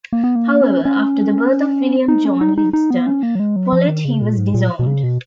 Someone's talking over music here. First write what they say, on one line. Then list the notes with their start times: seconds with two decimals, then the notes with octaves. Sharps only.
However, after the birth of William John Lydston Poulett he was disowned.
0.13 A#3
0.24 B3
0.36 A#3
0.62 C#4
0.85 C#4
2.08 D#4
2.25 C#4
2.41 D#4
2.58 D#4
2.73 D#4
2.91 B3
3.07 C#4
3.23 A#3
3.35 F#3
3.40 G#3
3.56 F#3
3.73 F3
3.89 D#3
4.05 C#3
4.22 A#2
4.38 G#2
4.54 A#2
4.79 B2
4.87 C#3
5.03 B2